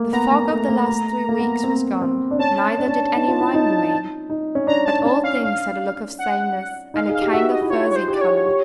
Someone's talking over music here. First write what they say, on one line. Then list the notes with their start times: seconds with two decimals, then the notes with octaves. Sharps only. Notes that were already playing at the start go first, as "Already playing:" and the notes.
The fog of the last three weeks was gone, neither did any rime remain; but all things had a look of sameness, and a kind of furzy colour.
Already playing: A3 A#3
0.12 B3 A#5
0.31 A#3
0.50 A3
0.69 A#3
0.89 A3
1.29 A#3
1.39 B3
1.64 C4
2.02 C4
2.31 D4
2.39 C#4 A5
2.78 D4
2.87 C#4
2.96 D4
3.15 D#4
3.28 F4
3.40 E4
3.54 D#4
4.30 D#4
4.55 C#4
4.67 D4 A#5
4.86 A5
4.99 D4
5.05 C#4 A5
5.24 F5
5.43 D4 F5
6.19 F#5
6.94 D#4 F5
7.10 G#4 F5
7.22 G4
7.33 F#4 E5
7.52 D#5
7.61 E4
7.70 F4 C#5
7.91 C#5
7.96 C5
8.08 G4
8.13 D5
8.21 C#5
8.47 G4